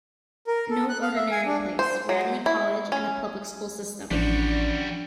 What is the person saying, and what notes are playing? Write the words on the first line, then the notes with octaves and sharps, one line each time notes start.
No ordinary place: Radley College and the public school system.
A#4
A4
F#6
F5
E5
G#5
D4
C5
F#3
E4
C#4
A1 E3 F3 G3 C#4 D4 F#4 D5